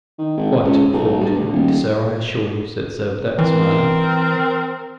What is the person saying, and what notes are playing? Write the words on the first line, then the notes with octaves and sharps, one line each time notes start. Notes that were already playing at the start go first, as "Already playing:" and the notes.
"Quite a reformed character, sir, I assure you," said Servadac, smiling.
D#3
G#1
C#2
B1
G2
D2
D#1
E3 C4 A#4